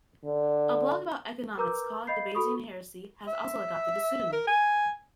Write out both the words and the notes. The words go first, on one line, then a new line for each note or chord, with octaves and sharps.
A blog about economics called "The Bayesian Heresy" has also adopted the pseudonym.
D3
A#4 B4 A#5 D6 E6 G6
D#5 F5 B5 G6 C7
F#4 A4 B5 C#6 D#6
E5
A#4
G#5